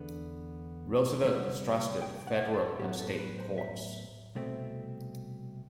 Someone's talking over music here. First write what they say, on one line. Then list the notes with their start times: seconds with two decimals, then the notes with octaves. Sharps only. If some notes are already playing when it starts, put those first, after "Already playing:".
Roosevelt distrusted federal and state courts.
Already playing: E2 D3 B3
1.24 D2 C3 G3 B3
2.02 G5
2.27 F#5
2.54 A4
2.79 A2 F#3 B3 G4
2.99 A4
3.14 C5
3.19 B4
3.38 C5
3.58 E5
4.35 C2 B2 A3 C4